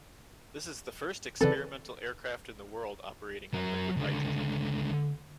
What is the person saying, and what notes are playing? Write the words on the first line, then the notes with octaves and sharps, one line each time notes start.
This is the first experimental aircraft in the world operating on liquid hydrogen.
C#3 E3 C4 A4 B4 D5
F#3 A#4
C#2 D3